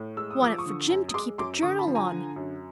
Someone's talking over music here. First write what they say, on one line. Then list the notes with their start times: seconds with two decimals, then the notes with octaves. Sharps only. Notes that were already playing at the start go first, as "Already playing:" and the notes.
"Want it for Jim to keep a journal on."
Already playing: A2
0.17 G#3 E6
0.31 D#6
0.42 F3 D6
0.58 C#6 D#6
0.66 D3
0.90 F#2
1.09 D#6
1.14 G#3 C6 D6
1.38 F#2 C6 D6
1.62 D3 C#6 D#6
1.79 A5 B5
1.87 F3
1.95 G#5 A#5
2.11 D3
2.36 F#2